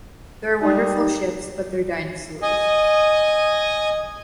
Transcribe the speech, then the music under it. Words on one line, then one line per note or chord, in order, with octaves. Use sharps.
They're wonderful ships, but they're dinosaurs.
G3 D#4
D#5 G#5